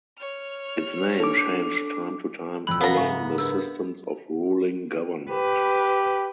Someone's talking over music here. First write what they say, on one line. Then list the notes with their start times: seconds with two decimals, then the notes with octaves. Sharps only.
Its name changed time to time following the systems of ruling government.
0.19 C#5 F6
1.20 D4 A4 D6
2.67 E1 F2 B5 E6 F#6
2.81 B3 F5 A#5
2.95 F#1 G#2 E5 F5 G#5 C#6
3.38 D4 A#4 B4 E6
5.30 G4 B4